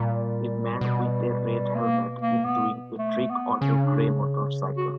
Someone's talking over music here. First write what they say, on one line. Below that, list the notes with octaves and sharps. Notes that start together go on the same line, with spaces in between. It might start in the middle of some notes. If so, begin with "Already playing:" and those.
A man with a red helmet in doing a trick on a gray motorcycle.
Already playing: A#2 G3
B2
A#3
A#3
B3
A3
B3
C#3 C#4
D4
F#4